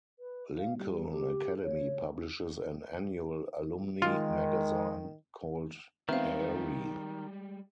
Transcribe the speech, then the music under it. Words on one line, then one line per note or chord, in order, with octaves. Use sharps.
Lincoln Academy publishes an annual alumni magazine called Aerie.
B4
F5
G3
G4
C#5
D#3 G#3 F4
D#3 G3 G#3 B3 C4 E5 F5